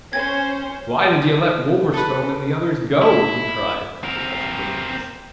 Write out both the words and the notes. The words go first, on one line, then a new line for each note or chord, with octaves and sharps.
"Why did ye let Wolverstone and the others go?" he cried, with a touch of bitterness.
C#4 C5 G#6
A4 B4
E4
C4 A#4